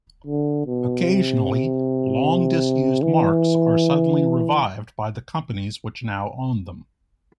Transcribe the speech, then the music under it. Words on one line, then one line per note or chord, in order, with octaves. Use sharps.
Occasionally, long-disused marks are suddenly revived by the companies which now own them.
D3
B2
C3
E3